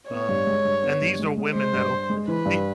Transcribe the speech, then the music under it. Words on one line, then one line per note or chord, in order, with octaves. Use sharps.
um, and these are women that'll b be
B3 C#5
G2
G#3
G2
B3
G2
G#3
G#3
G#3 C5
G2
G2
G#3
E3 B4
G2